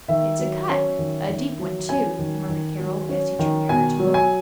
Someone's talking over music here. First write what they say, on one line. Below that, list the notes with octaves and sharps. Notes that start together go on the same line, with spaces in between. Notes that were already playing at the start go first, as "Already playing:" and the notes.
"It's a cut--a deep one, too," murmured Carroll, as he drew nearer to look.
D#3 E5
F#3
C#4
D#3
D#3
F#3
C#4 G#5
D#3
D#3
F#3
C#4
D#3
B2 G#5
F#3
G#5